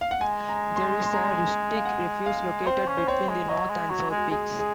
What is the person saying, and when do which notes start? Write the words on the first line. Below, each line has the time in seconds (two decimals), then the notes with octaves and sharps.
There is a rustic refuge located between the north and south peaks.
0.01 F5
0.11 F#5
0.21 G#3 G#5
0.49 A#5
0.76 C6
1.03 C6
1.13 A#5
1.23 C6
1.35 G#5
1.44 A#5
1.76 F5
1.85 F#5
2.26 F5
2.67 C4 C5
2.88 C#4
2.97 C5
3.08 C4 C#5
3.28 G#3
3.49 F#3 D#5
3.70 G#3
3.90 F#3 F#4
4.10 G#3
4.18 F#4
4.31 G#3 G#4
4.59 G#4